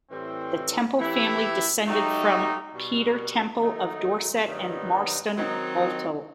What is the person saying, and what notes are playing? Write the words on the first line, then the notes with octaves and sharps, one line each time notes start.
The Temple family descended from Peter Temple, of Dorset and Marston Boteler.
A2 E3 G3 C4
E3 A3 E4 G4
F#3 A3 D#4 G4
B2 G3 B3
D#3 F#3 A3 D#4
G2 D#3 F#3 B3 D#4
D#3 F#3 C4 D#4